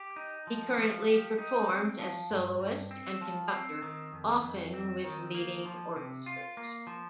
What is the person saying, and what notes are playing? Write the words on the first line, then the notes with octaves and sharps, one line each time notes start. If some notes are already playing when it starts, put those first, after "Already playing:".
He currently performs as soloist and conductor, often with leading orchestras.
Already playing: G4
D#4
F3
F3
G4
D#4
C4
F3
G2
G2
C4
F3
C4
D#3
F2
F2
C4
D#3
A#3
F3
C3
F4
A#3
F3